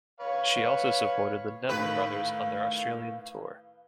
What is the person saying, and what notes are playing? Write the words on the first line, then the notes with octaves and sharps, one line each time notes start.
She also supported the Neville Brothers on their Australian tour.
B4 C#5 F5
A2 D#3 B4 F5